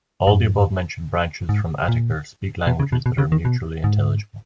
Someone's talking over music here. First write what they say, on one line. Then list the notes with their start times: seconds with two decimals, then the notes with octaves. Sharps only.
All the above-mentioned branches from Ateker speak languages that are mutually intelligible.
0.27 G#2
0.32 F#2
1.49 G#2
1.88 A#2
2.67 B2
2.80 C#3
2.92 B2
3.06 B2
3.18 C#3
3.32 D#3
3.45 B2
3.84 G#2